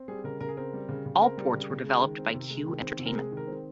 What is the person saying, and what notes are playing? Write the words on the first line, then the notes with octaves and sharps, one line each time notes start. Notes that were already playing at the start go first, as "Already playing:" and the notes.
All ports were developed by Q Entertainment.
Already playing: C4
G3 G#4
C#3 A#4
C#3 A#4
G#4
C4 A#4
G3
C#3
C#3
C4 A#4
G3
C#3
C#3
G#3
D#3
C4
C3
G#3
D#3
C4
C3
A#4
G#3 G#4
D#3
A#4
C4